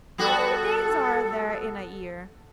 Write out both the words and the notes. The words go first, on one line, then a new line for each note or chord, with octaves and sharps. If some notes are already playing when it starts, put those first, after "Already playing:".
'How many days are there in a year?'
G3 B3 F#4 A4